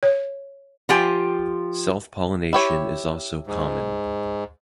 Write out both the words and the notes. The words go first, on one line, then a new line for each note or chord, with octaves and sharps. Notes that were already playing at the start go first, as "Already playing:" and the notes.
Self-pollination is also common.
C#5
F3 F4 G4 G5 G#5
E4 G4 C#5
G#2